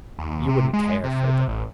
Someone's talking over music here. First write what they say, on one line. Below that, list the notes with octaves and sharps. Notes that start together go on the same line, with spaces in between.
You would n't care for them.
D#2
C3
G#3
C3
A1